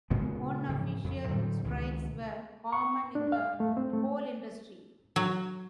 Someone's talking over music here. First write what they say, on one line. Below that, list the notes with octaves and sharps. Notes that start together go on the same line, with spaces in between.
Unofficial strikes were common in the coal industry.
A#2 C#3 G#3 B3
G#2 C#3 E3 F3
F2
A2 D3 F#3 G3
C#2 B2 D#3
C#6
D4
F5
A3
C4
A3
F#3